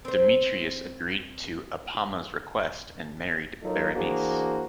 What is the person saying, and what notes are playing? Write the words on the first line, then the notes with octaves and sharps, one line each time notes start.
Demetrius agreed to Apama's request and married Berenice.
C4 C5
F#3 D#4 F4 A4 A#4 C#5
E3 A#3 D4 F#4 G#4 C5